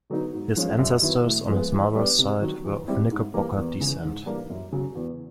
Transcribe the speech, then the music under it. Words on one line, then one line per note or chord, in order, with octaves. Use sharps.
His ancestors on his mother's side were of Knickerbocker descent.
D3 F#3 B3 D#4
G#2
F3 G#3 C#4 F4
F#2
D#3 F#3 B3 E4
A2
F3 G#3 B3
E3
G3 B3 D4
C3
D#3 F#3
E3
G3 C4 E4
G#2
E3 G3 A#3
E2
C#3 E3
G#2
E3 G3 A#3 D4
F#2
C#3 F#3
E2